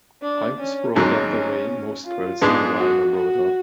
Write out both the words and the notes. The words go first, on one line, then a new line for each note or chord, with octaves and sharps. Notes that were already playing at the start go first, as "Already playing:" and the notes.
I was brought up the way most girls in Hawaii are brought up.
D4
C#4
G#1 G#2 F#3 C#4
C#4
F4
G#2 G#3 B3 D4 G#4
F#4
F#4